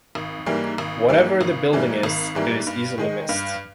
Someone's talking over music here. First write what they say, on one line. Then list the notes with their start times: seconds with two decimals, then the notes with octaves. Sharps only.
Whatever the building is, it is easily missed.
0.15 G#1
0.46 G#2 E3 G3 A#3
0.78 G#1
1.09 G#2 E3 G3 A#3
1.41 G#1
1.73 G#2 E3 G3 A#3
2.03 G#1
2.35 G#2 E3 G3 A#3
2.67 G2
2.98 D#3 G#3 D#4
3.29 G2